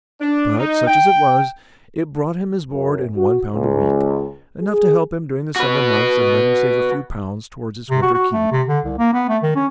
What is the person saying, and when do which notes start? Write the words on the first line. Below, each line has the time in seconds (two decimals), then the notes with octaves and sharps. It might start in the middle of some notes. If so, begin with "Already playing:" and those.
But, such as it was, it brought him his board and One pound a week--enough to help him during the summer months and let him save a few pounds towards his winter keep.
0.21 D4
0.58 D#4
0.88 G5
2.70 F#2
3.16 F#4
3.54 C#2
4.61 G#4
5.56 F#4 B4
7.90 C3
8.02 F#4
8.14 F#4
8.33 A3
8.52 C3
8.68 D3
8.85 C2
8.98 A#3
9.13 B3
9.29 A3
9.43 D#3
9.56 C#4